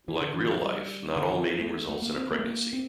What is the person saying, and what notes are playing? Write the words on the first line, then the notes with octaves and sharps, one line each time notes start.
Like real life, not all mating results in a pregnancy.
E3
D3
E3
F3
G3
D3
E3
F3
A3
A3
A#3
C4
A#3
A3
A#3
C4